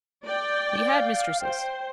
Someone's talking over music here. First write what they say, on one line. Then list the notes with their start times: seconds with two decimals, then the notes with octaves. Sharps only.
He had mistresses.
0.24 D5 G5
0.91 F5
1.41 C5 G5